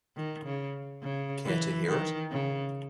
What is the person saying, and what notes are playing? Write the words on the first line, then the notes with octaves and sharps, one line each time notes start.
Care to hear it?
D#3
C#3
C#3
E3
D#3
C#3